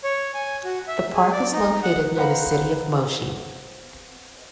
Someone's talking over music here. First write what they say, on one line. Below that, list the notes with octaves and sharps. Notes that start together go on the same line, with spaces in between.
The park is located near the city of Moshi.
C#5
G#5
F#4
E5
G#4
D5
D#4
F#5
B4 C5 F5 F#5 A#5 B5